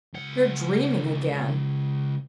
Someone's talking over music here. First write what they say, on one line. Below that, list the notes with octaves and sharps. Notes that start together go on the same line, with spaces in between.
"You're dreaming again."
C#2 F#5